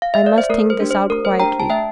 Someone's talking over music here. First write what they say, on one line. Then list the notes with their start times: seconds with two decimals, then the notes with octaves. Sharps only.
I must think this out quietly.'
0.02 F5
0.14 E5
0.26 D5
0.38 C5
0.50 A3 A#4
0.70 C5
0.80 D4 G4
0.91 C5
1.10 A3 A#4
1.25 C5
1.40 D4 G4 G5 A#5
1.60 A5
1.70 A3 E5 G5